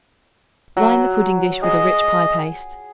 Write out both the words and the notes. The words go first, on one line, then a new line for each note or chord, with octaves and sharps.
Line the pudding-dish with a rich pie-paste.
F#3
G#4 D#5